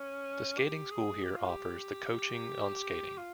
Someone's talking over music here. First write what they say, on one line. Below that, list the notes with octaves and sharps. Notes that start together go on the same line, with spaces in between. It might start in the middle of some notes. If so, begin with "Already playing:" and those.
The skating school here offers the coaching on skating.
Already playing: C#4
G4
G#4
G4
F4
G4
F4